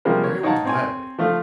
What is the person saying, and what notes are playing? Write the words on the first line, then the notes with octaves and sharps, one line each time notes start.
Harry went gladly.
C3 F3 G3 G#3 A#3
C#5
D#4 C#5 F5 F#5 A5 A#5
C4 C#5 G#5
F3 A3 F4 F5